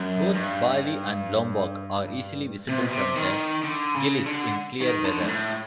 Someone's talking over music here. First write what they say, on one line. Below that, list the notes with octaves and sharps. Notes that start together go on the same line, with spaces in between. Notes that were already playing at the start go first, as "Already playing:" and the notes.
Both Bali and Lombok are easily visible from the Gilis in clear weather.
Already playing: F#2
G2
C3
B2
C3
D#3
D3
C#3
D3
D#3
D3
G#2
A2